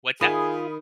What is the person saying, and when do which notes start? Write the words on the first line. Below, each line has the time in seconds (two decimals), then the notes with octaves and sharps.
What's that?
0.21 D#3 F4 G#4 B5 D#6